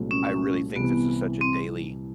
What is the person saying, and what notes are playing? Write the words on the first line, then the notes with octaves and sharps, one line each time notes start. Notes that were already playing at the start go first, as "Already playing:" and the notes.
I really think this is such a daily
Already playing: C2 A#2 F#3 A3 C4
C#4
C2 C3 E3 B3
C4